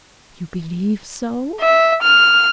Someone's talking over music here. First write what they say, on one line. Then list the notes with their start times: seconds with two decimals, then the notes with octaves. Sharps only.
"You believe so?"
1.61 E5
2.02 F6